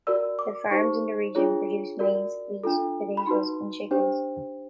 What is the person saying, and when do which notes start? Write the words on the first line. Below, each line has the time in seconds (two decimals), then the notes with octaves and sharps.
The farms in the region produce maize, wheat, potatoes and chickens.
0.07 F#4 A#4 D5 E6
0.39 D6
0.71 D#4 G4 C5 C#6
1.35 D4 F4 G#4 C#5
1.99 F#4 A#4 D5
2.64 D4 F4 A4
3.17 B5
3.27 D#4 F#4 B4 C6
3.91 D4 G4 C5